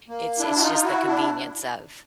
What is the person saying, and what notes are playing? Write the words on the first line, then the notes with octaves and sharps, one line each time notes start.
It's it's just the convenience of
A#3
D4 E4
F#4
D#4 F4
E4 F#4
D4 E4